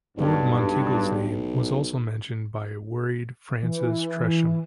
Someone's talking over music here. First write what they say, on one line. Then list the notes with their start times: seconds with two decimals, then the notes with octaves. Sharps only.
Lord Monteagle's name was also mentioned, by a worried Francis Tresham.
0.17 B1 G2
3.63 E3